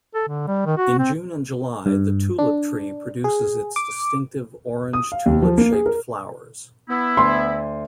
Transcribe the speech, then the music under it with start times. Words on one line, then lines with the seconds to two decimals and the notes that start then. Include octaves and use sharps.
In June and July the Tulip Tree produces its distinctive orange tulip-shaped flowers.
0.15 A4
0.28 D3
0.48 G3
0.66 D#3
0.77 F#4
0.99 C4
1.86 G2
2.39 D4
3.24 G#4
3.76 D6
4.93 D#6
5.12 F5
5.26 D#2
5.42 F3
5.58 A#3
5.72 G#4
5.86 A#4
6.89 B3 E4
7.17 D2 C6